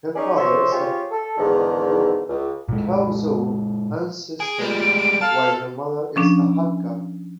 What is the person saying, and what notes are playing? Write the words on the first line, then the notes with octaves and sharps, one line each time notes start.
Her father is of Chaozhou ancestry while her mother is a Hakka.
C#4 D#4 G#4 C#5 D5
F3 C5 C#5 E5 C6
F4 G4 G#4 C5 C#5
A4
E2 G#2 D3 D#3
C#2
A#2 G#3
G#4 D7
G3 G#3
A4 F5
F3 C#4 D4